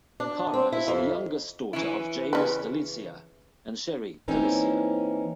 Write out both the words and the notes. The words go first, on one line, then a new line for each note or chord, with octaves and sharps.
Cara is the youngest daughter of James DeLizia and Sherry DeLizia.
D4
C4
E4
F2
E3 C#4 E4
C#3 B4
E3 A#3 C4 C#4 D#4 E4